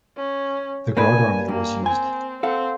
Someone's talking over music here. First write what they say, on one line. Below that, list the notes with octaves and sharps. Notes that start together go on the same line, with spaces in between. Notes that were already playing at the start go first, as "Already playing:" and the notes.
The guard army was used.
C#4
A#3 D4 B4 G#5
G2 A#3
C4 G#5
C4 A4 F5 F#5